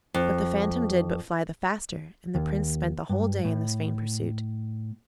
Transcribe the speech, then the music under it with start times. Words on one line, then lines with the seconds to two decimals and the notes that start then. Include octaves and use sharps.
But the phantom did but fly the faster, and the Prince spent the whole day in this vain pursuit.
0.14 F2
2.35 D#2
3.10 G2
3.45 A2